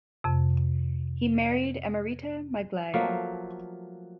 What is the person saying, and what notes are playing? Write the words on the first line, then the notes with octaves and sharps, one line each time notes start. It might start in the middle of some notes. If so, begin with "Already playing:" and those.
He married Emerita Maglaya.
F2 C3
F3 F#3 A3 A#3